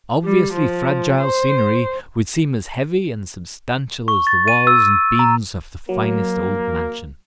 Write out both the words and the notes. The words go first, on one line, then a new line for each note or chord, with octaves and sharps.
Obviously fragile scenery would seem as heavy and substantial as the walls and beams of the finest old mansion.
G3
F3
C5
C#6
A6
D#7
E6
A#5
F#3 A#3